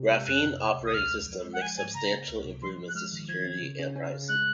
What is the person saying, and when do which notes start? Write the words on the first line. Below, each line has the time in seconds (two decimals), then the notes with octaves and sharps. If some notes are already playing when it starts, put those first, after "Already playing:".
Graphene Operating System makes substantial improvements to security and privacy.
Already playing: C3
0.11 G#3
0.27 F2 F#6
0.44 C3
0.61 C3
0.78 C2
0.86 D#6
0.94 D#2 F6
1.11 G#3
1.27 F3
1.44 G#3
1.53 F#5
1.61 F3 G#5
1.77 G#2 G#5
1.94 C#3 A#5
2.11 A#3
2.28 C#2
2.45 C3
2.62 F3 C6
2.78 F3
2.89 F#6
2.95 G#3 F6
3.12 D#3
3.29 F3 G#6
3.46 C4
3.62 C#3
3.79 C#3
3.96 C#4
4.12 C#3
4.29 G#3 F#6